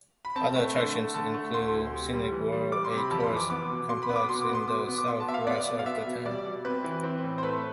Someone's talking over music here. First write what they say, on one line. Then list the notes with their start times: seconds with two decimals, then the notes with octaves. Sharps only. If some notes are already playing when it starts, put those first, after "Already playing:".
Other attractions include Scenic World, a tourist complex in the southwest of the town.
0.25 B5
0.36 C4 A5
0.55 A3
0.75 D3
0.95 A3
1.14 D3 A5
1.34 A3
1.54 D2 C6
1.73 D2
1.93 C3
2.13 G3
2.32 E3
2.52 G3
2.72 G3 D6
2.85 C6
2.92 C3
2.98 B5
3.11 F2 A5
3.20 B5
3.24 C6
3.30 E3
3.37 D6
3.50 B3 D6
3.70 B2
3.89 B2 C6
4.03 B5
4.09 B3
4.16 D6
4.29 B2 C6
4.42 D6
4.49 B3
4.55 C6
4.68 B2 D6
4.88 B3
4.98 D6
5.07 B3 C6
5.20 A5
5.27 B2 E5
5.34 F5
5.47 B3 D5
5.66 B2
5.79 F5
5.86 B3 E5
6.06 B2
6.25 G3 D5
6.45 B2
6.65 C4 B4
6.84 E3
7.03 C4
7.24 A2
7.38 C5
7.43 A3 B4